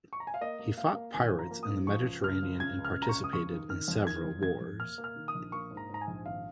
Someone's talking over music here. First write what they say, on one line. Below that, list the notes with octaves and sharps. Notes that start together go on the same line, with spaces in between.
He fought pirates in the Mediterranean and participated in several wars.
C#6
A#5
G#5
F5
A#3 D#5
A#3
A#3 F5
A#3
G#1 G#5
F3
A#5
A#3
D#6
G#2
F3 C#6
C#2
C#2 F6
F3
C#3 G#6
C#2
F6
C#3
A#5
C#6
C#2
D#6
F2 C#6
D#3
D#3 F6
F2
D#3 G#6
F2
F2 G#6
F2
A#3 F6
A#3
F6
D#3
D#6
A#1
A#3 C#6
G#2
A#5
G#2 A#5
G#5
A#1
G#1 F5